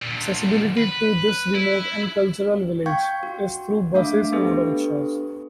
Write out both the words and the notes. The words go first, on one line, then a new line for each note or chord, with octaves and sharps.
Accessibility to this remote and cultural village is through buses and auto rickshaws.
D2 A#2
B4
E4
F5 G5 C#6 G6 G#6
F#4
A3 D4 E5 F5 D6
B3 D4 G4 A4 B4